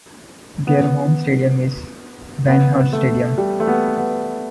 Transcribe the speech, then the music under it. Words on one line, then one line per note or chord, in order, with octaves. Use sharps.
Their home stadium is Avanhard Stadium.
B3
B3
A3
G3
A3
B3
B3